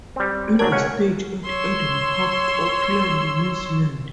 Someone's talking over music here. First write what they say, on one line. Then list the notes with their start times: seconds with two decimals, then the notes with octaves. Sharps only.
It is staged at Eden Park, Auckland, New Zealand.
0.16 G3 C4
0.59 A#1 F#3 D4 A#4 G#6
0.72 C#2 C#4 F#5
1.43 C#5 C6 E6